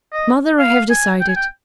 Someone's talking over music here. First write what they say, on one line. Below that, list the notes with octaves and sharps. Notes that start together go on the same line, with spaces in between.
Mother, I have decided!
D#5
F5
G#5
G5
G#5
G5